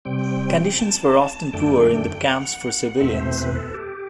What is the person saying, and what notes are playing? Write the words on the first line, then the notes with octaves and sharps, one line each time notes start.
Conditions were often poor in the camps for civilians.
C3 G3 C4 G5
A5
F#2 D3 A3 D4 G5
F#5
E2 B2 A3 C4 E5
C5
B4
A4
G4